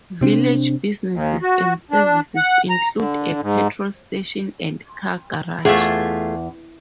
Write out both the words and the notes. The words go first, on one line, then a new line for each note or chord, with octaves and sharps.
Village businesses and services include a petrol station and car garage.
C3 C4 D4
D#2
F#4
D4
F#5
A#5
D3
G#2
E2 A3 F4 G#4